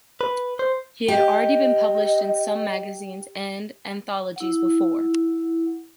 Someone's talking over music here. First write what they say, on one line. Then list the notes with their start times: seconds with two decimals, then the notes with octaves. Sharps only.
He had already been published in some magazines and anthologies before.
0.21 B4
0.59 C5
1.08 G4 D#5
4.36 E4 F#5